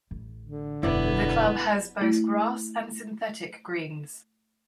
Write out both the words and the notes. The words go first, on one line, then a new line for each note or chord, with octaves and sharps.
The club has both grass and synthetic greens.
A1
D3
E1 F#2 B3 E4 D5
A3 E4